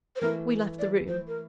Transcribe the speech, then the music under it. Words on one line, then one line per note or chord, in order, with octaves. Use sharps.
We left the room.
C5
E3 A3 E4 A#4
D5
C5
A#4